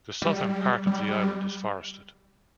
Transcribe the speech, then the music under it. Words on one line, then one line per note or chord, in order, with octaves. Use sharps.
The southern part of the island is forested.
G3
G3